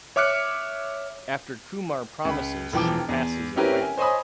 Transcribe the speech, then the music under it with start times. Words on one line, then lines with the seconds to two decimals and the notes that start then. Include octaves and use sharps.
After Kumar promises she passes away.
0.16 C#5 E5 D6 F6 F#6 C#7
2.25 C#2 B5
2.72 E1 E3 F3 G5 D6
3.09 E2
3.56 C4 C#4 E4 G4 A#4 B4
3.81 G#5
3.98 C5 C#5 D#5 G#5 B5 D#6